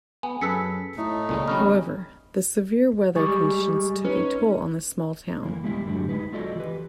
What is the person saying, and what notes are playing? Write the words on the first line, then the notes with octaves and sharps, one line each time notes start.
However, the severe weather conditions took a toll on the small town.
B3 G#5
F#2 G#4 A4 B4 E6 B6 C#7
A2 A3 D#4
C#2 A#2 G#3 C#4
D1 G3 C#4 D#5 B5 F6
G3 G#3 G#5 C#6 A6
C#4 D#4 B4
F2 E3 A#3
B2 G3 G#3 D4 E4
F#2 A2 D3 A3 F#4 G4
G#3 D#4 B4
F4 F#4 A4 D5 D#5
E3 G4 B4